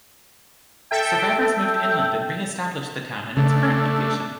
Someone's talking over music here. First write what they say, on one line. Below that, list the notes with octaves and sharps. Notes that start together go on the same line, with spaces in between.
Survivors moved inland and re-established the town in its current location.
A4 E5 G5
C#3 A3 D4